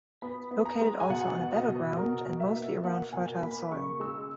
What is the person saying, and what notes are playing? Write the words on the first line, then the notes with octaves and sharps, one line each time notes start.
Located also on a battleground and mostly around fertile soil.
B3 B5
B3
A#5
G#3
G#5
B2 F#5
B2
D#5
B2
B2 A#4
B2
E5
A#3
A#3 F#5
B2 G#5
A#3 B5
C#3 C#6
G#3 E6